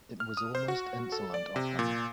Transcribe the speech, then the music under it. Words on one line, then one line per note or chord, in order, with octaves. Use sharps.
It was almost insolent of him.
F6
D#6
C5
F#4
A4
D5
C3
A#2